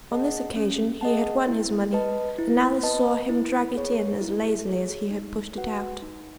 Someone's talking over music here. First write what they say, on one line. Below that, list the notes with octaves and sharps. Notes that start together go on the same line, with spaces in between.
On this occasion he had won his money, and Alice saw him drag it in as lazily as he had pushed it out.
G#4 D#5 F#5 A5
C#4
G#4 D#5 F#5 A5
E4
B4 D#5 A5
E4
B4 D#5 A5
E4
G#4 C#5
E4
G#4 C#5
D#4
F#4 B4 F#5
D#4